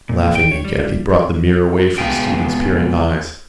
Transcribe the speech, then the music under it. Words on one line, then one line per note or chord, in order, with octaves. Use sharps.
Laughing again, he brought the mirror away from Stephen's peering eyes.
A#2
G5
C#5
G3
C#2 B2 F4 G#4 G5